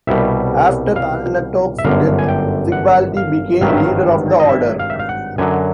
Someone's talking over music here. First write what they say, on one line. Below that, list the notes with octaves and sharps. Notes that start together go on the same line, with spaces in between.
After Palnatoke's death, Sigvaldi became leader of the order.
C2 B2 G3 E5
F5
E5
G1 F#2 D3 F5
G#5
G5
F#5
F5
G#1 G2 D#3 F#3 F5
E5
F5
D#5
E5
F5
E5
F5
F#5
F#2 D3 F#3 G#5